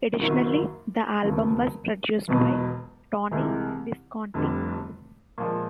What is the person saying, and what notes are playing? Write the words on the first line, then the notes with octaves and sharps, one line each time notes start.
Additionally, the album was produced by Tony Visconti.
F#1 F#2 D#3 F#3
E1 D#2 C#3
E1 E2 B2 F#3 B3
C2 C3 E3 G#3
F1 F2 D3 G3
A#2 F3 G#3